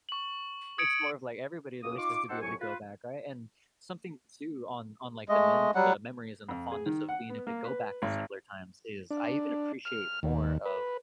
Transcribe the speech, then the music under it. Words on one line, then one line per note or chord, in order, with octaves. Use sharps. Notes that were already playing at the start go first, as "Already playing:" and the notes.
It's more of, like, everybody always has to be able to go back, right? And, something too on on, like, the men the memories and the fondness of being able to go back to simpler times is, I even appreciate more of-
C#6 F#7
D#6 G#6 C#7 D7
C#2 F#2 A#3 D#6
D#4 F4 C#6 D6
C4 D#4 G4 A4 C5 F#5
C2 A2 F#3 G#5 C#6
F4 B4
G#3 A3 D#5
F#3 G3 F#5
F2
G#4
D#3
F#5
B3
A#3
B4
G#1
D4
F6
D#2
B4